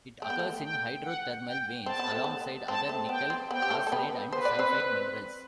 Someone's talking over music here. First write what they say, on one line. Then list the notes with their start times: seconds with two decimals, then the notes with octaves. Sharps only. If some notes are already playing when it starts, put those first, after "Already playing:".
It occurs in hydrothermal veins alongside other nickel arsenide and sulfide minerals.
0.22 A3 G5
0.30 B3
0.39 A3
0.63 G5
1.04 F#5
1.45 G5
1.86 C4 A5
1.99 B3
2.11 A3
2.24 B3
2.68 C4 A5
2.89 A3
3.09 B3 G5
3.30 C4
3.50 B3 G5
3.62 G4
3.70 A3 A4
3.87 A4
3.92 B3 B4
4.32 B4 C5
4.45 D5
4.59 C4 C5